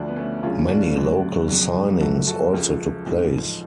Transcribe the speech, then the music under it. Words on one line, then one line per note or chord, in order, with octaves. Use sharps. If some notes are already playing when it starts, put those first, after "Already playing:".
Many local signings also took place.
Already playing: D2 D3 F3 D4 F#4
B3
A3 C#4
D2 C#3 F#3 C#4 F4
D4 F#4
D2 D3 F#3
F2 C#3 F#3
F#1 F#2 C#3 F3 F#4 A4
F#4 A4
C#2 C#3 F3
A1 G#2 F3